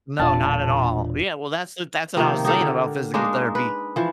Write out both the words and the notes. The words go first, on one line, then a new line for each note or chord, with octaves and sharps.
No, not at all. Yeah. Well, that's the that's what I was saying about physical therapy,
E1 A#2 D4 F4 A5
C3 D#3 F3 A#3
D#4 G4 A4 A#4
D3
G#3 A#3 D4 D#4
B4
E3 F3